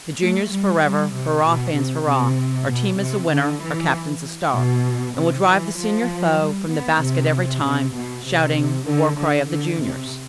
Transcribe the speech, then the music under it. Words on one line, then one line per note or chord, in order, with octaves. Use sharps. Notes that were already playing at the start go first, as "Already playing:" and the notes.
"The juniors forever, hurrah, fans, hurrah! Our team is a winner, our captain's a star. And we'll drive the senior foe, from the basket every time. Shouting the war cry of the juniors."
A3
G3
G3
C3
B2
C3
C3
B2
C3
D3
E3
B2
C3
E3
F3
G3
B3
C3
C3
B2
C3
D3
D3
D3
C3